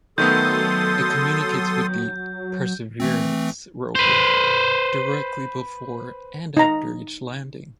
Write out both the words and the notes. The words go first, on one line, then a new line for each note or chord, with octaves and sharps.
It communicates with the "Perseverance" rover directly before and after each landing.
D#3 F#3 A3 B3 A4 C6 D#6 G6
E3 A3 C4
B4 C5
D#4 A#5